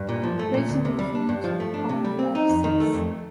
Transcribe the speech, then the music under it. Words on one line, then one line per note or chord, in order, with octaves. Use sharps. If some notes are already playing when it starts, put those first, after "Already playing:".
Racing resumed on lap six.
Already playing: G2
A#2
F3
A3
A#2
D2
C3
G3
D4
G2
F3
A3
D4
C3
G3
C4
D#4
F2
D#3
A3
F2